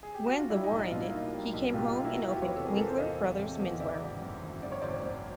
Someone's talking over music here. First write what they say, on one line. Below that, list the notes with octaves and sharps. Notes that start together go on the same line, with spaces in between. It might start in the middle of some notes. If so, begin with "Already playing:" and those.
When the war ended, he came home and opened "Winkler Brothers Menswear".
G#4
G4
F#4
F4
G3 D4 E4
D#4
B1
D#4
B2 F4
E4
A#3 D#4 F4
G3
B1
B2 F4 G4
F4 G4
A#3 F4 G4
E4 F#4
E3 E4 F#4
F4 G4
E2
B4 C#5
C3 A4 B4
G#4 A#4
E2 A4 B4
A#4 C5
E3 D#5 F5
E2
C3
E2
C#3 D5 E5
G#1
F#2
G#1
C#3 D5
C#5
G#1 C5 D5
F#2